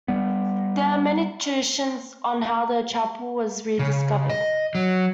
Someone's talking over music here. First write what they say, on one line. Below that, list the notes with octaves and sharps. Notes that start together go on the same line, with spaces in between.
There are many traditions on how the chapel was rediscovered.
G3 B3
C#3
D#5
F#3